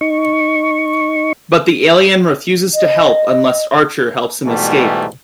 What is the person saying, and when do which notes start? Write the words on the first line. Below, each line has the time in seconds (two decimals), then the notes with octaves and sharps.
But the alien refuses to help unless Archer helps him escape.
0.01 D#4 C#6
2.74 D#5
4.47 G#2 B2 E3 G3 A3